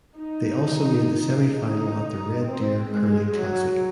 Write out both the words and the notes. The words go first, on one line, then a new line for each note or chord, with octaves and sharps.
They also made the semifinal at the Red Deer Curling Classic.
D#4
D#4
C4
G#3
F#3